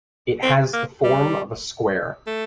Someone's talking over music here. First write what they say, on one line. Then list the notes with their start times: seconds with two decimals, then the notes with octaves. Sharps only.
It has a form of a square.
0.43 C4
0.74 A#3
1.04 G3
2.27 A3